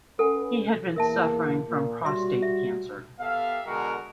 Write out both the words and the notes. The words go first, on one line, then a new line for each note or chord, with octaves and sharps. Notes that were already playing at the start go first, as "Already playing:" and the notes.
He had been suffering from prostate cancer.
C#4 A4 B4 F#5 G#5
E2 E3 A#3 A#4 E5 A5
A#2
G3 F#4 C#5 E5 C6
E5
B3 G4 A4 E5 F5
B2 D3 G#3 F#4 A#4